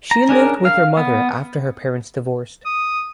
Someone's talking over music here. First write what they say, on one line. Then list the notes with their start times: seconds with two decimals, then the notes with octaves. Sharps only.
She lived with her mother after her parents divorced.
0.11 A#5
0.29 C#4 D4 G#4 A#4
0.65 F5
0.97 B3
2.65 D#6